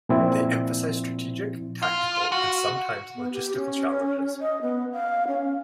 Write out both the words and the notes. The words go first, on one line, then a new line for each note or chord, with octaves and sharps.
They emphasize strategic, tactical, and sometimes logistical challenges.
A#2 F3 C4 E4
F4
F#4
B3
G4
C#4
D#5
B3
F5
C#4